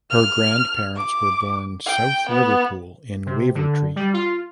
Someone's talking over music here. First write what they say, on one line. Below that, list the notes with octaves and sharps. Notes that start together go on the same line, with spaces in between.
Her grandparents were born South Liverpool in Wavertree.
F6
D6
G5
B3
C3
D3
G3
F4